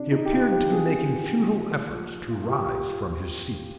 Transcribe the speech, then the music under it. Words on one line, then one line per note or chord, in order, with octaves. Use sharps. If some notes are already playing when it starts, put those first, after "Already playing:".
He appeared to be making futile efforts to rise from his seat.
Already playing: C3 D4
D#4
G4
C3 F4
G4
C3 G#4
C3
F3
F3
A#2 F4
F4
G4